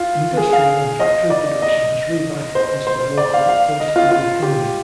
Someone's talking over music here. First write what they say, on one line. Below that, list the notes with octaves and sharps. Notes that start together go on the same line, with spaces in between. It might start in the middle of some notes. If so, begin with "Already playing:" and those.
Industrial and factory production has revitalized the local post-coal economy.
Already playing: F4
G#4
F5
D#5
D5
D#5
C5
C5
D5
F5
F5
D#5
F4
F4
G4